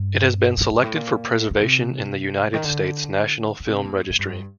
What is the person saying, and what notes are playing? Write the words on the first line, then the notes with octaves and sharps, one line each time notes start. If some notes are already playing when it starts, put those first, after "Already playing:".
It has been selected for preservation in the United States National Film Registry.
Already playing: G2
G2
G2
A2
A#2
D3
C3
D#3
D3
D3
C3
A#2
A2
G2